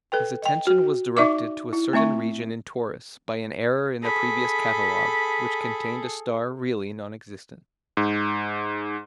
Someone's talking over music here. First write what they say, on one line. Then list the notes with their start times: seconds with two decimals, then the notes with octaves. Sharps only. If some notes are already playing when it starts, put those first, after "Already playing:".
His attention was directed to a certain region in Taurus by an error in a previous catalogue, which contained a star really non-existent.
0.12 A4 B4 G5
0.42 D#5 G5
0.67 F#4
1.17 D#4 D5 E5 C#6 D6
1.73 E4
1.93 A3 C4 E5 C#6
4.02 G#4 A4 B5
7.97 G#2